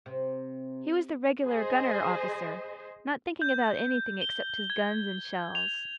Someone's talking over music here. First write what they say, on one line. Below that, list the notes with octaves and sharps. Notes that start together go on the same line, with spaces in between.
He was the regular gunner-officer, not thinking about anything except his guns and shells.
C3
G#4 C5 D#5
G6
G7
G#6
F7